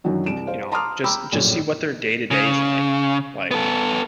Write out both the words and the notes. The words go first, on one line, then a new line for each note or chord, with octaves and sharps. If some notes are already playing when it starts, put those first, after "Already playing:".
you know, just just see what their day to day is, like like,
F#2 D#3 E3 F#3 D4
C2 D7 E7
C5 F5
A5 A#5 C6 D6 D#6 F6
G5 A#5 B5 D6 E6
A#1 F#2 A2
C#3
B3 A4